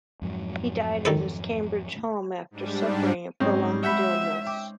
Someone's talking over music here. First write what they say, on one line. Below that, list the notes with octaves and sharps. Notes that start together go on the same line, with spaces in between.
He died at his Cambridge home after suffering a prolonged illness.
F2 G#2 F#3
D#3 A4 B4
G#2 G3 D4
G#2 F#3 G#3 C4 C#4 D#4
G#3 E5 F#5 B5 G6 B6
G5 D6